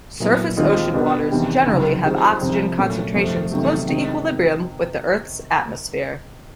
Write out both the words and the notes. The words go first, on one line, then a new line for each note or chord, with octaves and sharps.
Surface ocean waters generally have oxygen concentrations close to equilibrium with the Earth's atmosphere.
A#2 F#3 B3 E4
D#2 D#3 G#3 C4 F4
B2 G3 B3 D4 F#4
E2 C3 D#3 G3
C#2 C3 D#3 F#3
D#3 G3 C4 F4 G#4
C2 C3 F3
A#2 F#3 A3 C#4
F2 C3 F3 A3
E2 C3 D#3 F#3 A3
C3 D#3 G#3